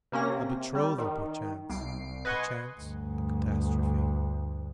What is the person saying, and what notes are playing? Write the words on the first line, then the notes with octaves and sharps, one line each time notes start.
A betrothal perchance, perchance a catastrophe.
C3 A#3 C#4 A#6
C3
G3
D#3
C2 C7 D7
B4 D#5 F#5 G#5 C6 C#6
D2 G2